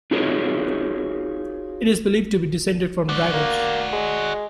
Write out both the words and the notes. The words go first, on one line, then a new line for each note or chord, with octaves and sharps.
It is believed to be descended from dragons.
D#4 F4 F#4 G#4 A#4 C#5
F#4 D5
A#3
G#3